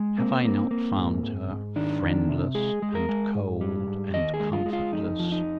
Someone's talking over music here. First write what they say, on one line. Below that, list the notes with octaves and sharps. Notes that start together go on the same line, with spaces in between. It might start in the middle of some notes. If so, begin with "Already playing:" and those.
Have I not found her friendless, and cold, and comfortless?
Already playing: G#3
A#3 C4
A#3
A#3
G#2
G#2
G#2
D#3 D4
D#3
C3
G#3 G#4
G#3
A#4
G#3
G#2
G3
G#2
D#2 D#5
G#4
G#3
F4
G#3
F4
F2 D#4
F3
D#4